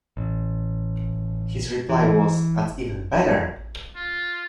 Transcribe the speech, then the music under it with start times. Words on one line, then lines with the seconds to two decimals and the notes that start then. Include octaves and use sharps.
His reply was, That's even better!
0.17 A1
1.89 E3
3.96 F4